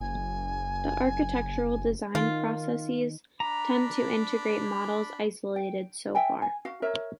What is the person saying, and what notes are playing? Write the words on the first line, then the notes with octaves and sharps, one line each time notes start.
The architectural design processes tend to integrate models isolated so far.
F#1 G#5
D#3 F4
D4 A#5 B5 D6
G5
E5 G5 G#5
G#5
F#4 F5
A#4 C#5 E5